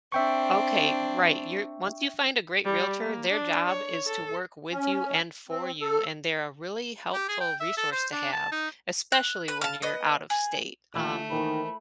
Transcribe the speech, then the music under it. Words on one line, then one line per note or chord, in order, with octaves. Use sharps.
Okay, right, you're once you find a great realtor, their job is to work with you, and for you, and they're a really helpful resource to have, especially when you're out of state, um,
C4 D4 E5 G5 C#6
G3
A#3
D4
C#5
A4
C#4
C4
A4
G4
G#4
G5
E5
A4
C5
D4
A5
D#4
F#6
B4
F5 A5
B3 D#5
G#4
D#2 E3 A3 F4
D#3 E3 A#3 C5 B5